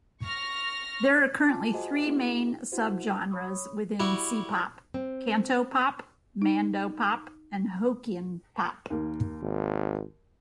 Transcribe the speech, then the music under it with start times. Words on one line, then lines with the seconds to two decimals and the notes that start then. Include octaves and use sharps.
There are currently three main subgenres within C-pop: Cantopop, Mandopop and Hokkien pop.
0.22 C#6 F6 A#6
1.45 F4 G#5 A5 D6
1.73 F#4 G#4 C5 D#5 G#5
2.05 A#3 B3 D4 E4 F#4 G#4
2.72 E4 F#4 C5
3.31 C#5 B5 C#6 D#6 E6
4.00 G3 E4 F#4
4.94 C4
6.42 D#4
8.90 D#2 A#3
9.42 G#1